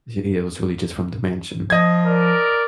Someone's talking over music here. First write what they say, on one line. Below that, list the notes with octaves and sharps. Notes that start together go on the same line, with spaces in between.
i it was really just from the mansion,
F3 D#5 G#6
A#4 D5